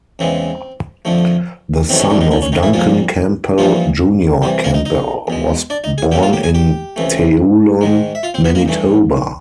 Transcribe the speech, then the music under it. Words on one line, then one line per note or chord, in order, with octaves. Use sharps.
The son of Duncan Campbell Junior Campbell was born in Teulon, Manitoba.
E2 C#3 E3 G#3 C4
F2 D3 F3 A3
E2 C3 D#3 F#3 A3 C4
C#4
D3 D4
D#3 D#4
D3 D4
C#4
D#3 D#4
E3 E4
C2 A#2 F3 G3 A#3 F4
G2 E3 F3 G3 A#3 F4
C2 C3 E3 G3 G4
A#3 A#4
D#4 D#5
D#4 D#5
E2 B2 G#3
D4 D5
D#4 D#5
G#4 G#5
A2 F#3 A#3 G4 G5
F4 F5
G4 G5
G#4 G#5
G4 G5
C#2 C3 E3 A3
G#2 D#3 G#3
E5
F4 F5
C4 C5
B3 B4
A#3 A#4
G2 E3 A3